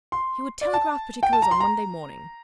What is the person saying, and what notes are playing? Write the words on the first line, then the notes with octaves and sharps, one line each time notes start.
He would telegraph particulars on Monday morning.
C6
D5
A5
G5
A5
A#5
C6
A#5